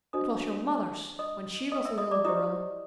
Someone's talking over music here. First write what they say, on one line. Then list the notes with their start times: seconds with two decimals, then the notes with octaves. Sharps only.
"It was your mother's when she was a little girl."
0.13 D4 F#4 A4 C5 D#5 D#6
1.19 D#5 D#6
1.72 D#5 D#6
1.85 E5 E6
1.98 D#5 D#6
2.11 D5 D6
2.25 E4 G4 C5 D#5 D#6